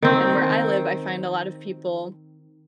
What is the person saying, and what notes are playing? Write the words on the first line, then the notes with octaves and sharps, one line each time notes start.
and where I live, I find a lot of people
D#3 C4